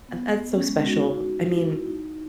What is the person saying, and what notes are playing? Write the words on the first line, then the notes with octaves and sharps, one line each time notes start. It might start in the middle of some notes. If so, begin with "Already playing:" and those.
Uh, that's so special. I mean
B3
C#4
G#3
G#3
D#4 F#4
E4
D#4